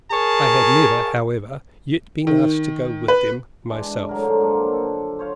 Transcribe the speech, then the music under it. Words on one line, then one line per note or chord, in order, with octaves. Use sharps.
I had never, however, yet been asked to go with them myself.
G#4 A#4 C#5 A5
D#3
B4
E3 G#3 D4
A2 F#3 A#4
G#2 D3 F3
A#2 F3 F#3 A#3
A4
C5 C#5 F5